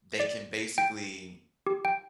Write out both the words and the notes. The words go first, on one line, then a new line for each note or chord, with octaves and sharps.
they can basically,
D5
G5
G4
G5